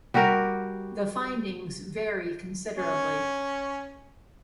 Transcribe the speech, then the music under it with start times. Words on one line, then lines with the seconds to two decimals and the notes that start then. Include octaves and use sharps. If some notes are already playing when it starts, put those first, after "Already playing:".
The findings vary considerably.
0.14 G3 F#4 G4 A#4
2.77 C#4 C#5